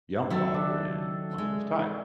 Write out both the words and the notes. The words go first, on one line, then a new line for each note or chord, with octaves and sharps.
young father and money was tight.
D#3 F#3 A4 E5
D4
G#3